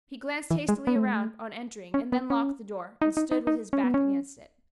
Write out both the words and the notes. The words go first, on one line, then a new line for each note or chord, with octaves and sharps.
He glanced hastily around on entering and then locked the door and stood with his back against it.
E3
G#3
B3
A3
G#3
A3
C#4
B3
C#4
D#4
D#4
D#4
D#4
C#4
B3
C#4